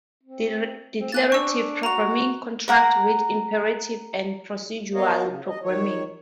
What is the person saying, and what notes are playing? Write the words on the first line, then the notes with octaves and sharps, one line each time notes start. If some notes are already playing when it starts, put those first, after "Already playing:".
Declarative programming contrasts with imperative and procedural programming.
C4
C4
A#3 G#5 F#6 A6
D4 C#6 E6
F#4 A#5 F7
A#4 F#5 A#5
B3 A#4 C#5 D#5 F5
C#3
D#5
D#3 C#5